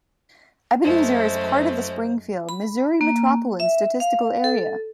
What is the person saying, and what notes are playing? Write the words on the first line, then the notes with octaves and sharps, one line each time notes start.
Ebenezer is part of the Springfield, Missouri Metropolitan Statistical Area.
F#2 G#3 A3 C5
B5
A#3
E5
F5
A4